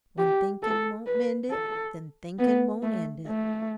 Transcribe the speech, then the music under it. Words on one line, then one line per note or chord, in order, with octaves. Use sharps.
When thinkin' won't mend it, Then thinkin' won't end it.
G4
A4
B4
A4
B3
A3
A3